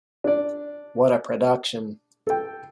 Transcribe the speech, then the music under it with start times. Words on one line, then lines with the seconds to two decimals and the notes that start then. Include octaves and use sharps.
What a production!
0.24 D4 D5
2.27 A4 G5